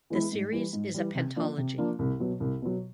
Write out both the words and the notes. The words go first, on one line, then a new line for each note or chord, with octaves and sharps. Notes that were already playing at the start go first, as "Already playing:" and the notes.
The series is a pentalogy.
E3 G#3 B3 E4
G#2
E3 G3
G#2
E3 G3
C3
F3 A#3 D4
C3
F3 A#3 D4
C2
B2 F#3
C2
B2 F#3